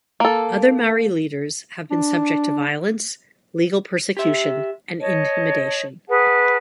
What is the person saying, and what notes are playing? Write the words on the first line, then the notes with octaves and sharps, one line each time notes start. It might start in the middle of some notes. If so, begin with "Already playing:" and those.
Other Mari leaders have been subject to violence, legal persecution and intimidation.
A#3 A4
D4
G4 E5
C#5 D#5 A5
G#4 B4 F#5 A5